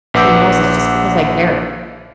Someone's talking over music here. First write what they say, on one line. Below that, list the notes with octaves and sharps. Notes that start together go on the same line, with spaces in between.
he knows it's just because I care.
A#1 B4 F#5 D6 E6 G6